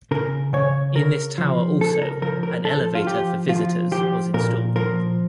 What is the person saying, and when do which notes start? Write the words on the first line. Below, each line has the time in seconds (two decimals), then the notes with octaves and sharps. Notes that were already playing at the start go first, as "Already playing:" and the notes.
In this tower also an elevator for visitors was installed.
0.11 C#3 A#4
0.53 C#3 C#5
0.96 C#3 A#4
1.38 F3
1.81 C#3 A4
2.02 A#4
2.22 F3 A#4
2.43 A#4
2.64 F3 A4
2.95 F4
3.07 F3 G4
3.49 F3 F4
3.92 F3 G4
4.34 A#2 A#4
4.76 F3 A#4